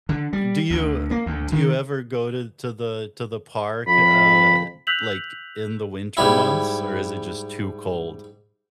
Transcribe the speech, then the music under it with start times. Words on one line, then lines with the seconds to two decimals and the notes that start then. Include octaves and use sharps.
do you do you ever go to to the to the park, uh, like, in the winter months or is it just too cold?
0.09 D3
0.33 G3
0.70 D2
1.11 A#3
1.26 D2
1.52 D#3
3.87 F2 B5
4.87 E6 F#6 G6 B6 F7 F#7
6.17 G#2 G3 E4